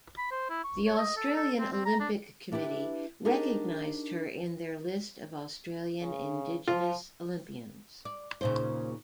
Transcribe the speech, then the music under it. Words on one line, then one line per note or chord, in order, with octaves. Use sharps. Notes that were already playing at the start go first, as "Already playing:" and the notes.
The Australian Olympic Committee recognized her in their list of Australian Indigenous Olympians.
B5
C5
E4
C#6
C#5
D#5
A4
A4
C4
C4
A#5
D4
D4 E4 G4 G#4 B4
D4 D#4 G4 G#4 A#4 D#5
C#3
F3 F4
D5
D#2 A#2 C#3 C5